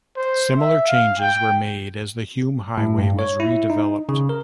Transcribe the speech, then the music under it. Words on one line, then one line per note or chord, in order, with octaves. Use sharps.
Similar changes were made as the Hume Highway was re-developed.
C5
E5
F5
G5
A2
G2
C#5
E4
D#4
C#3
A#4